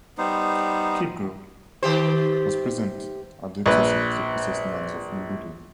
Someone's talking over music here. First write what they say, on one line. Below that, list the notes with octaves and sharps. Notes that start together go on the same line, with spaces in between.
Killigrew was present at the exorcism of the possessed nuns of Loudun.
G3 B3 D#4 C5
D#3 G4 C5
A#1 B4